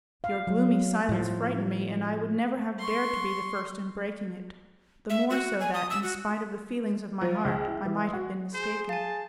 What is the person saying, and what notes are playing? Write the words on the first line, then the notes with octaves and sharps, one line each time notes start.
Your gloomy silence frightened me, and I would never have dared to be the first in breaking it; the more so that, in spite of the feelings of my heart, I might have been mistaken.
F5
F#3
A2 F3
C6 C#6
E5
F#4
G#5
D#6
E6
F#4
F3
C#2
E4
E3
F#4
G#4 C5
F5 G#5 A5